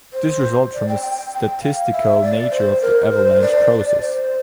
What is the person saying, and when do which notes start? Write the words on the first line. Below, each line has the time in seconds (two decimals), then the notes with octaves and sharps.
This results from the statistical nature of the avalanche process.
0.13 C5
0.74 D5
0.88 G5
1.02 G5
1.33 G5
1.62 F5
1.92 E5
2.22 D5
2.51 C5
2.82 A#4
3.11 C5
3.42 D5
4.01 C5